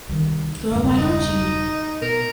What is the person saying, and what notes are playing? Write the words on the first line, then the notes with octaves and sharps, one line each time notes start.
Girl Why Don't You?
C2 D#3
E1 G2 C#3
D#4
B2 A#4